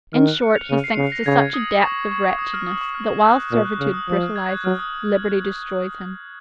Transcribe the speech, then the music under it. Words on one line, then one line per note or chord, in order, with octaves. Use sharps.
In short, he sinks to such a depth of wretchedness, that while servitude brutalizes, liberty destroys him.
D#3 F6
F#6
C#7
F7
C#3 D#7
C7
C#3 C7
A#6
C#3 G#6
D#6
C#6
C#6
D#6
F6
D#6
C#6
F6
F#6
A#2 F6
F#6
C#3 F6
D#6
F3 D#6
F6
G#6
F#6
F#3 F6
D#6